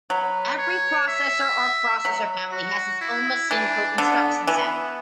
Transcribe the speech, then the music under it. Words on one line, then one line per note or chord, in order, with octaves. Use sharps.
Every processor or processor family has its own machine code instruction set.
F#3 B4
C#5
E5
F#3
F#4
E4
E3 D4
D3 B3
E3 B3